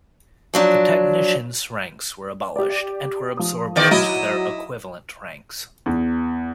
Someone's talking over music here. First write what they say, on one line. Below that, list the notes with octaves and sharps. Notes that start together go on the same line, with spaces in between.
The Technician's ranks were abolished and were absorbed into their equivalent ranks.
F3 F#3 D4
G4 D5
F3 D#6
E2 D#3 D5
F#3 E4 D#5
E2